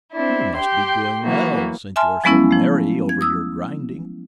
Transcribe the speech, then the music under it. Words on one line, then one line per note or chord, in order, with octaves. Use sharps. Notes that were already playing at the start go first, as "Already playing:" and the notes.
"You must be doing well since you are so merry over your grinding."
C4 D4 E4
G4 G5 C6
E3 F#3 A#3 B3 F#4
E5 G#5 A5 C6 F6
F3 F#3 G#3 B3 C#4 E4
F3 A3
G#6
D#6 E6